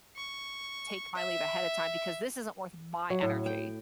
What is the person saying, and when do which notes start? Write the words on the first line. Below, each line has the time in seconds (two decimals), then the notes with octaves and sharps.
take my leave ahead of time because this isn't worth my energy."
0.16 C#6
1.15 E5
3.10 F#3
3.22 A2
3.46 G5